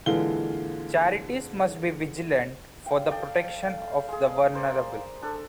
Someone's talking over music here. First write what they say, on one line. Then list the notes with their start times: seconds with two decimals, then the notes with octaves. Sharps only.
Charities must be vigilant for the protection of the vulnerable.
0.06 A#2 D3 E3 G#3 F5 G7
2.86 F5 G5
3.11 A4 D5 G5
4.08 G#3 G#4
4.54 A#4 C5 D5
5.22 D4 A4